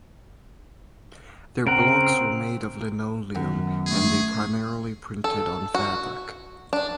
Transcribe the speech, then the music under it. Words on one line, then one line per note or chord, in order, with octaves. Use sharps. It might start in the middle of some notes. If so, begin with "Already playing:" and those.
Their blocks were made of linoleum, and they primarily printed on fabric.
C#3 C4 A#4 F#5 D7
F#2 D#3 B3 F#5
A3 G#4
A4
F#4
D4